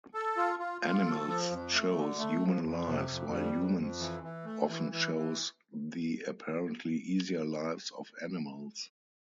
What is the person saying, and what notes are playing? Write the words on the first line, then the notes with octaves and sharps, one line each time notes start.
Animals chose human lives while humans often chose the apparently easier lives of animals.
A4
F4
F4
F4
A4
F3
F2
A3
D3
A3
F2
F2
C3
F2
G3
F2
F2
E3
E3
A3
E3
E3
E3